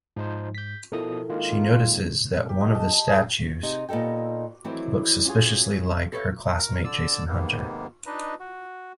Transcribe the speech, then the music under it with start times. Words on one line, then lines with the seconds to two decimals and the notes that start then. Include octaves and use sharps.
She notices that one of the statues looks suspiciously like her classmate Jason Hunter.
0.16 G#2 F3 D#4 C5
0.55 G6 B6
0.92 B2 F3 E4 A4 A#4 D#6
1.29 D#3 G#3 A#3 F4
2.49 G4
2.61 D#5
2.75 A5
2.93 A5
3.08 G#4
3.63 C3 D#4 G#4
3.89 A#2 B3 D#4 A4 G5
4.64 D#3 E3 F#3 A3 C4 E4
5.25 C#4 F4 F#4 G#4
6.12 A4 B4 C#5 D5 E5 F5
6.57 A#4
6.84 D3 D5 E6
7.28 D#2 G#2 C3 A#3 B3
8.06 D4 D#4 B4 D#5
8.40 F#4